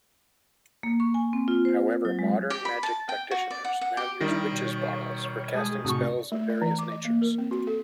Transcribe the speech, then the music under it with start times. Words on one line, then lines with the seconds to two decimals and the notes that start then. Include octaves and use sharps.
However, modern magic practitioners now use witches bottles for casting spells of various natures.
0.83 A#3
1.00 C#6
1.14 G#5
1.33 C4
1.48 F4
1.65 C5
2.05 F#3
2.19 G#3
2.50 G4
2.65 B5
2.83 A5
3.09 G5
3.31 F#4
3.51 D5
3.65 F#5
3.81 F#5
3.97 G4
4.21 D#3 G3 D4 E4 A#6
4.51 B2 C#5
5.54 G#3 G#4 A5 D#6
5.85 A2 C3 D#4 F#4 A5 C#6
6.19 D5
6.32 A3
6.50 D5
6.62 E3
6.79 D6
6.92 D#5
7.05 A#3
7.22 A#4
7.38 C4
7.51 F#4
7.67 A4